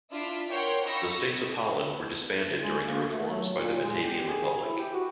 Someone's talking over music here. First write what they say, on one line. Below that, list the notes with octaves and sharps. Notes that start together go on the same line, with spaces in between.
The States of Holland were disbanded during the reforms by the Batavian Republic.
D4 E4 F4 E5 B6 D7
A#4 C#5 F#5 G5 C6
D#4 F4 B5 C#6 E6 A#6
G#3
A#3
A3
F#3
A#2
G#3
G4
G#4
E4
G4
F#4